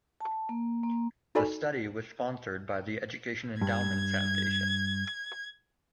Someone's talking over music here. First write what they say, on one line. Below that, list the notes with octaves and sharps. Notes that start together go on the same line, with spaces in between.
The study was sponsored by the Education Endowment Foundation.
A5
A#3
A#3
D#4 F#4 A4 D5 G#5 B5
G2 G#6